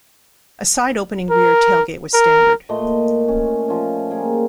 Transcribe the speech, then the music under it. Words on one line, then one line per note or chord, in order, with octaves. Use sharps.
A side-opening rear tailgate was standard.
A#4
A#4
A#2 A3 D#5 C6
C#4
F3 C#4
G3 A#3 G#4